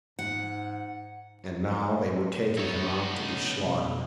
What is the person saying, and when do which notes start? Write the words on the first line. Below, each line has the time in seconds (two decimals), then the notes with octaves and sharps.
And now they were taking him out to be slaughtered.
0.19 G#2 F#5
2.58 B3 D#4 E4 C#5
3.15 A2 C#3
3.63 F2 B2